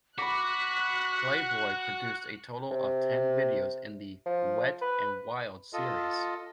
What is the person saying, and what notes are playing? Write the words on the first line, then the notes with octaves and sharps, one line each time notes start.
"Playboy" produced a total of ten videos in the "Wet and Wild" series.
F#4 B5 D6 F#6 B6
C3
F3
B4
F4 A4 D#5